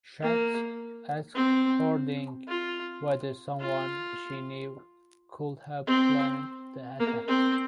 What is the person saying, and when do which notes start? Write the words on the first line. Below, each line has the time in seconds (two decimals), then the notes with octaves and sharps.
Schatz asked Harding whether someone she knew could have planned the attack.
0.22 A#3
1.35 C4
2.48 F4
3.60 F4
5.87 C4
6.99 A#3
7.27 C4